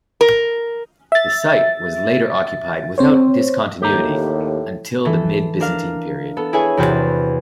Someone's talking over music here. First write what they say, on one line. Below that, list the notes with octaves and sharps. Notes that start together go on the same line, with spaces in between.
The site was later occupied without discontinuity until the mid Byzantine period.
A#4
E5 A6
C4 C5 C#5
D#2 A2 G4 A#5
E3 A4
D4 A#4 F5
B3 A4
E4 G#4 B4 C#5 G#5
E2 C3 C4 F#4 B4 A6